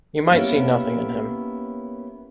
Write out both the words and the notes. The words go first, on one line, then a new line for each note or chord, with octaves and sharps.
You might see nothing in him.
A#3 B3 C#4 E4 G4